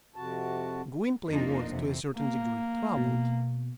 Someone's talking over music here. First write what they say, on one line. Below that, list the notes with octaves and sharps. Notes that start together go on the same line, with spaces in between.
Gwynplaine was, to a certain degree, troubled.
F2 C3 F#4 A5
F2 A#3 D4 D#4 F4
F2 C3 E3
A#3
B2